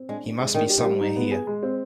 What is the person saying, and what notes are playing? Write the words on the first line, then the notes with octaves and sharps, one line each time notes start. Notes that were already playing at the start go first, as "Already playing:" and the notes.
He must be somewhere here.
Already playing: C4
G#3 D4
D4
G#3
D#3 D4
G4
D#3
G3
D#4
B3
G#4
G#3
C4